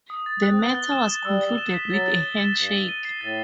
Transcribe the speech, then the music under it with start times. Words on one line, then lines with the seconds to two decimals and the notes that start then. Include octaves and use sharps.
The matter was concluded with a handshake.
0.10 D#6
0.26 A6
0.43 F#6
0.50 C4
0.59 B3 F#6
0.75 G7
0.92 E7
1.08 A6
1.25 G3 E6
1.41 G7
1.58 E7
1.74 B6
1.90 F#3 A6
2.06 A6
2.23 G7
2.39 E7
2.55 G2 A6
2.72 G7
2.89 D#7
3.05 C7
3.21 A2 A6